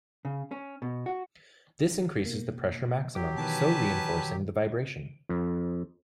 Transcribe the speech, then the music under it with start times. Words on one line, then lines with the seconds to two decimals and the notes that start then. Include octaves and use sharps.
This increases the pressure maximum, so reinforcing the vibration.
0.25 C#3
0.51 C#4
0.82 B2
1.06 F#4
2.25 B2 A#3
3.15 F#3 G4 D6
3.37 B2 D#3 E3 B4 G#5 A5
5.29 F2